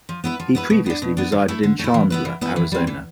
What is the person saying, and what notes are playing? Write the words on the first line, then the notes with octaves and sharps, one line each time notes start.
He previously resided in Chandler, Arizona.
F3
B3 E4 B4
F3
B3 E4 B4
B2
B3 D4
B2
B3 D4
D3
A3 E4
D3
A3 E4
E3
B3 E4 B4
E3
B3 E4 B4
E3
G3 C4
E3